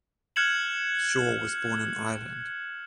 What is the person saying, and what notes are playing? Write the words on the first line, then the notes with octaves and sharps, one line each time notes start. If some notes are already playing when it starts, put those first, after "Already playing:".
Shaw was born in Ireland.
F6 F#6 G#6 C#7 E7 F#7